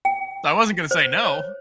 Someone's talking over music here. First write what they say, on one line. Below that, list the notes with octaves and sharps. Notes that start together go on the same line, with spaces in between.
So I wasn't gonna say no.
G5
C5
C#5